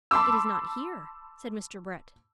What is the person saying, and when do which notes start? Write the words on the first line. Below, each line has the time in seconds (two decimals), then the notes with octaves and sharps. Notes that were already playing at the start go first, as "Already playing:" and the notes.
"It is not here!" said Mr. Brett.
0.11 A5 B5 C6 D6 E6